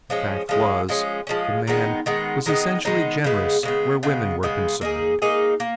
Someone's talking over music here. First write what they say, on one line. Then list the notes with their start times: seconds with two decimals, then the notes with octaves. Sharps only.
The fact was, the man was essentially generous where women were concerned.
0.10 F3 G#3 C#4
0.49 F3 G#3 C#4
0.89 F3 G#3 C#4
1.27 F3 G#3 C#4
1.67 D#3 G#3 B3 D#4
2.06 D#3 G#3 B3 D#4
2.46 D#3 G#3 B3 D#4
2.85 D#3 G#3 B3 D#4
3.24 C#3 G#3 B3
3.63 C#3 G#3 B3
4.03 C#3 G#3 B3
4.43 C#3 G#3 B3
4.81 A#3 D#4 G#4
5.22 A#3 D#4 G#4
5.60 A#3